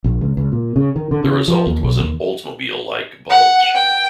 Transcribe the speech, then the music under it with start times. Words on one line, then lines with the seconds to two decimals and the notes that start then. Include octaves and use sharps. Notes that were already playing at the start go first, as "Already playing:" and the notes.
The result was an Oldsmobile-like "bulge".
0.04 A#1
0.21 C#2
0.37 C#2
0.52 A#2
0.76 C#3
0.96 D#3
1.11 D3
1.24 C#3
1.48 F3
1.67 D#2
1.83 B1
2.00 D#2
3.29 F#5
3.75 G5